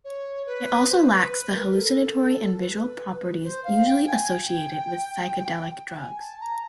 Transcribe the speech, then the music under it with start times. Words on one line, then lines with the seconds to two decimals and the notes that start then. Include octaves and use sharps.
It also lacks the hallucinatory and visual properties usually associated with psychedelic drugs.
0.05 C#5
0.46 B4
0.89 C5
1.02 C5
1.10 B4
1.31 B4
1.53 A#4
1.74 A4
2.58 B4
3.43 C5
3.64 F5
3.86 G5
4.07 G#5
4.28 G5
5.98 G#5
6.20 A5
6.41 A#5